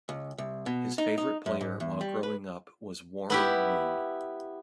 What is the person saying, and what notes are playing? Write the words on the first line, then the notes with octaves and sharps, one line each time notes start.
His favorite player while growing up was Warren Moon.
C#2
C2
B2
D#4
D#4
F#2
G#2
E2
G3
B4
B3 E4 G4